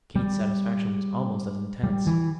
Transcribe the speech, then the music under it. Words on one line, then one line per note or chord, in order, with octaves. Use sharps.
Kate's satisfaction was almost as intense.
G3
G3
E3